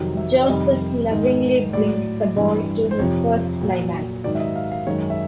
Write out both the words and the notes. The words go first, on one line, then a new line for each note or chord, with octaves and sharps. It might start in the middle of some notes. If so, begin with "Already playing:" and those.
Josif lovingly brings the boy to his first climax.
Already playing: F2 C3 D#3 F#3
E5
D5
F2 C3 D#3 G3 D#5
G#2 D#3 G#3
A2 F#3 D5
G2 E3 G3
C5
F2 C3 F3 C#5
A#2 F#3
G#2 D#3 F#3 D5
E5
D#5
F5
F5
F#2 D#3 G#3 C#5
E5